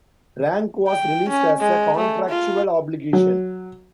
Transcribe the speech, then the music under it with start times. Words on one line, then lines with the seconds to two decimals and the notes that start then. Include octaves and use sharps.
"Rank" was released as a contractual obligation.
0.88 G5
1.29 C#4
1.61 G#3
1.97 A3
2.29 F4
3.13 F#3